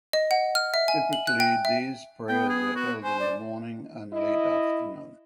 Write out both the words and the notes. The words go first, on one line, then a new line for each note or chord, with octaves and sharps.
Typically these prayers are held in the morning and late afternoon.
D#5
F#5
F6
E5
G#5
F#7
F#6
G5
E5
B3 G5
G#4
F#4
C5 G#5
D5
E4 D#5